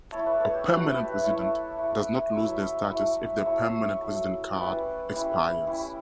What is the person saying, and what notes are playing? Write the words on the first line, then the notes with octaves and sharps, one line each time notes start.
A permanent resident does not lose their status if their permanent resident card expires.
A3 E4 A4 C#5
B4 D5
A4 C#5
G4
A3 E4 F#4 A4
G4 B4
A3 E4 A4 C#5
A3 E4
F#3 A3 E4 C#5 E5
F#3 A3 E4
F#3 A3 E4 C#5 E5
F#3 A3 E4
G3 C#4 E4 B4 D5
G3 C#4 E4
G3 C#4 E4